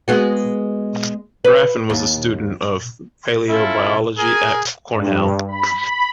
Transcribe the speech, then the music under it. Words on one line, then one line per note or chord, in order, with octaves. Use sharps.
Graffin was a student of paleobiology at Cornell.
G#3 B3 F#4
B4
D#2
C#4 E4 F4 A4
G#4 A#4 G#5
G2
B5
B5